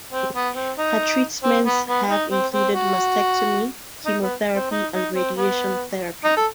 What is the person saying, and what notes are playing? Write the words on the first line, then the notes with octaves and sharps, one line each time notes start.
Her treatments have included mastectomy, chemotherapy and radiation therapy.
C4
B3
C4
D#4
C4
B3
B3
D#4
C4
C4
F#4
D#4
B3
C4
D#4
D#4
C4
B3
D#4
A4